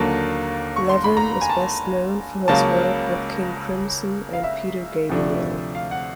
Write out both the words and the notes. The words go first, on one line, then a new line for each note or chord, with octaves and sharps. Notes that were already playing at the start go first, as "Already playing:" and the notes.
Levin is best known for his work with King Crimson and Peter Gabriel.
Already playing: D#2 D3 F#3 A#3 A5
C#6
C6
B5
A#5
G#5
A5
C#2 C#3 F#3 A#3 C#4 A5
F5
E5
D2 C3 F3 A3 D4
F5
F#5